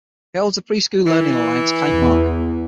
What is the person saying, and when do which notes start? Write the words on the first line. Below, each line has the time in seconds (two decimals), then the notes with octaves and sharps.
It holds the Pre School Learning Alliance kite mark.
1.07 E3
1.91 E2